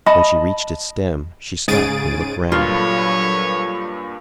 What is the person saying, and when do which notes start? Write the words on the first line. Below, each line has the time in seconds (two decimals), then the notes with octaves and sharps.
When she reached its stem, she stopped and looked round.
0.06 D#5 A5 B5
1.68 G#2 C#3 G#4 A6 D7 D#7
2.52 G2 A#2 F#3 F4 A4 B4 C#5